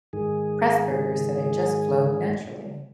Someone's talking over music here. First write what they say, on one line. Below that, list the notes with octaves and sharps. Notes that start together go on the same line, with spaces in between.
Pressburger said it just flowed naturally.
G#2 D#3 G#4